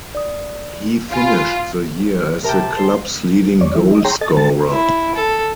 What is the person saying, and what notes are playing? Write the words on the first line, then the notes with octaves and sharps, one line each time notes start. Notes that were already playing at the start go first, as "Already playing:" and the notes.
He finished the year as the Club's leading goal scorer.
D5 D#6
F4 G#5 B5
C3 A#4 G5 A5
G#2 C6
E2 C#5 D5
E3 G3 E4
D#5
G#4 C#5 G5 A#5 C6
A4 D#5 A6
D3 G#3 A5 A6
E4
A4